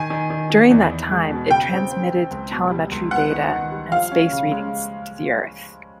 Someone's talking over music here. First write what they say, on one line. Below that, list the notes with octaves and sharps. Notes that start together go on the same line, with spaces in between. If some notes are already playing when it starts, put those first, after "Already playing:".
During that time, it transmitted telemetry data and space readings to the Earth.
Already playing: D#3 G#5
D#3
D#3
D#3
E2
E2
G#3
B2
C#3 G5
C4
C4
C4
C#2
B2
G3
C#2
B3 F#5
D#3
D#3
G3
F3 F5
C#4
C#3
G#3